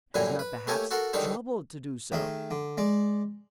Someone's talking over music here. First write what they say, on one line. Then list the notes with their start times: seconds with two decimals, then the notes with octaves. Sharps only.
Has not perhaps troubled to do so.
0.14 F#2 A#2 D3 G3 E4 G#5
0.39 B4
0.67 A3 A#3 G4 C#5 E5 G#5
0.91 F#4 A4 A#4 F#5 C6
1.13 C#2 D3 D#3 G3 D#4 E5
2.12 D#3 A3 G#4
2.51 D3
2.78 G#3 D5